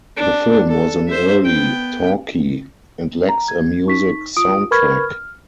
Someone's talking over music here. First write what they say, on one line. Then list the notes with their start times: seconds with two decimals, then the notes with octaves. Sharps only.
The film was an early "talkie" and lacks a music soundtrack.
0.17 D4
0.69 A4
1.08 C5 E5
1.46 B3 G5
3.29 A#5
3.48 G#6
3.86 D#4 C#6 B6
4.37 F4 D#6 D7
4.71 A#4 B4 B5 C#6 F6 G#6
5.03 F6